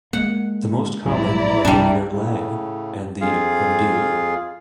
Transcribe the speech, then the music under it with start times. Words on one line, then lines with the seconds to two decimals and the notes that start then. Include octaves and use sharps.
The most common are the "virelai" and the "rondeau".
0.13 G#3 A#3 F#5
1.06 A#1 G#2 F#3 E4 D5 A#5
1.65 C2 G2 G3 D4
2.12 A2 C#3
3.21 F2 F4 G#4 F5